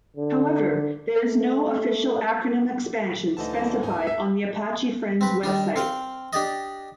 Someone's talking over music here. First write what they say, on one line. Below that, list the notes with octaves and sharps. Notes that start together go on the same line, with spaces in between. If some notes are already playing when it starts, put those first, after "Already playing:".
However, there is no official acronym expansion specified on the Apache Friends website.
D3
A3
D2 D3 E3 F3 A3 D#4 D#5 A5
B3 A#4
G#2 D#4 G#5
E5
C4 B4
D#3 G3 D4
C4 F5 G5
D4 G4 D5 D#5